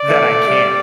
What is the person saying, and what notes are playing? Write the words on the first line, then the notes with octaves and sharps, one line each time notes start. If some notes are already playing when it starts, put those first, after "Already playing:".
that I can."
Already playing: D5
A3
G3